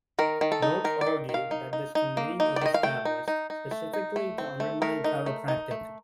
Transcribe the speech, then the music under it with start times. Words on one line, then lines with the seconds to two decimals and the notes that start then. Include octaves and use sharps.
Wilk argued that this committee was established specifically to undermine chiropractic.
0.19 D#3 A#4
0.41 D#3
0.52 A4
0.62 D#4
0.84 D#3 A#4
1.01 D5
1.07 D#3
1.29 D#3
1.34 F5
1.51 D#4
1.73 D#4
1.95 D#4
2.17 A#3
2.40 D#4
2.56 D5
2.61 D#3 D#5
2.74 F5
2.83 A3 G5
3.05 D#4
3.28 D#4
3.50 D#4
3.71 A3
3.94 D#4
4.16 A3
4.38 C4
4.60 A3
4.82 A3 A#4
5.04 D#4
5.26 A3
5.48 D#4
5.71 A3